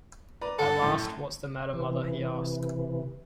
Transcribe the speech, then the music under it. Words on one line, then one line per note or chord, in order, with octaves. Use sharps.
At last: “What’s the matter, mother?” he asked.
B4 D5 A#5
G2 A4 F#5
A#1 F#2 A2
C3 E3